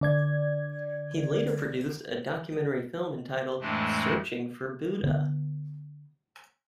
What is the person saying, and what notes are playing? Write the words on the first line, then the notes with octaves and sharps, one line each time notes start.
He later produced a documentary film entitled, "Searching for Buddha".
D3 D5 G#6
F2 A2 E3 G#3 A3 D4
D3 B3